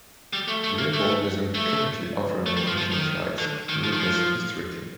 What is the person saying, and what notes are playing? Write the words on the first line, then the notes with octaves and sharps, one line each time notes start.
The airport does not currently offer any international flights, though it has historically.
G3
A3
A3
A#3
A3
A3
A3
G3
F3
F3
D#3
D3
D#3
F3
D#3
F3